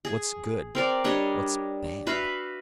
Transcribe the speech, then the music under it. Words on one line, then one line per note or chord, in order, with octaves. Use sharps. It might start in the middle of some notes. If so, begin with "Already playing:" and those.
What's good, what's bad?
G#4
C4 A#4 D5
G3 D4 C#5 D#5
F#4 B4 E5 F5